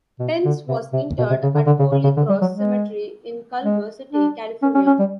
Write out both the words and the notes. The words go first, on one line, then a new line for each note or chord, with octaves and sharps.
Penn's was interred at Holy Cross Cemetery in Culver City, California.
B2
D3
C3
C3
B2
C3
C#3
D3
D3
C#3
C#3
C#3
D3
G3
F#3
G#3
G#3
D4
C#4
C#4
C#4
G3